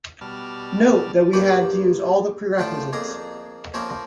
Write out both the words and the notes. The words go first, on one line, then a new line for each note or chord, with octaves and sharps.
Note that we had to use all the prerequisites.
B2 G3 D5 A5 F6
A#1 G2 A#3 G4 B5
A2 D3 F3 F4 G5
F2 A#3 G#4 A#5
F3 A#3 C4 C#4 A#4 E5